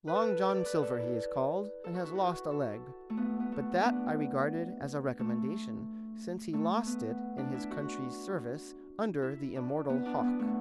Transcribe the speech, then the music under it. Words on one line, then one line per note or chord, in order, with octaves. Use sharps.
Long John Silver, he is called, and has lost a leg; but that I regarded as a recommendation, since he lost it in his country's service, under the immortal Hawke.
B4
A4
D5
B4
A4
E4
A4
F#4
E4
F#4
A4
A3
B3
B3
A3
B3 D4
A3
A3
B3
D4
E4
F#4
E4
D4
B3
D4
B3
A3